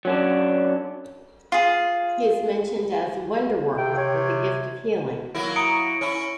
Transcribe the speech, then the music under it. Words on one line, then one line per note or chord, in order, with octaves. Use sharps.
He is mentioned as a wonderworker, with the gift of healing.
F#3 C#4 D4
F4 G#4
C3 G5
C#5
F#3 A#3 E4
A#5 D#6 C#7 D7
C#4 E4